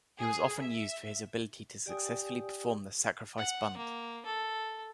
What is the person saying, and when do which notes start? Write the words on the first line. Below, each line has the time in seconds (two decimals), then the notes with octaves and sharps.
He was often used for his ability to successfully perform the sacrifice bunt.
0.20 G#4
0.60 E5
1.86 G4 D5 G5 G#5 D#6
3.38 F#5
3.77 A#3
4.26 A4